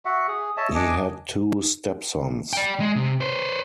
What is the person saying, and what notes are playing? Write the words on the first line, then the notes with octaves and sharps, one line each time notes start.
He had two stepsons.
F#4 E5 F#5
G#4
C#5 D#5 E5 A5
D4 D#5 G#5 D6
D5 G5
G#3
C3
B4 C5